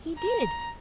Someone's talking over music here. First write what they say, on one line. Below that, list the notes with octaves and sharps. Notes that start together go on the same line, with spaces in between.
"He did."
A#5